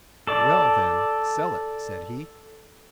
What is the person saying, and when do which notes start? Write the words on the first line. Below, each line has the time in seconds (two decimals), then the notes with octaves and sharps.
"Well then, sell it," said he.
0.27 A4 D5